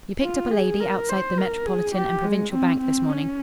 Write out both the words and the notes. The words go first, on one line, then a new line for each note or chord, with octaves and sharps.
You picked up a lady outside the Metropolitan and Provincial Bank this morning.
F4
G#4
A#4
C5
A#4
G#4
G4
G#3
C4
C4
C#4